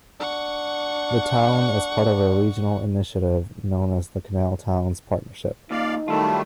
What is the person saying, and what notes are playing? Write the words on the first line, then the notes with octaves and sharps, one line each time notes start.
The town is part of a regional initiative known as the Canal Towns Partnership.
D4 F#5 C#6
D#2 A#2 D#4 D5 F5
D#3 F#3 G3 A3 E4 F4 A5